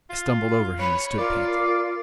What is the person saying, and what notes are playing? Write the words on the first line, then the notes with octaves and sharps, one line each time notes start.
I stumbled over him and stood panting.
F4
C#5 B5
F4 A#4 D5